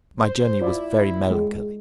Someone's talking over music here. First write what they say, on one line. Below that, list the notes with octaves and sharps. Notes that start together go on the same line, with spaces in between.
My journey was very melancholy.
C5
E4 F4 D5
G#3